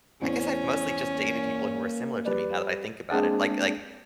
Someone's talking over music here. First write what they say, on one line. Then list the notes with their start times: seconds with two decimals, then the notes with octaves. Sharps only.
I guess I've mostly just dated people who are similar to me now that I think about it, like like
0.21 A1 E2 C4 C#4
1.14 A#3
2.25 G3 B4 D5
3.10 G#3 A#3 C4 D4 G#4 D5